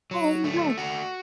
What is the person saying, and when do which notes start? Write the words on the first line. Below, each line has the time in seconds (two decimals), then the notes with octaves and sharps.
Oh, my god.
0.11 F#3
0.44 A3
0.77 F#4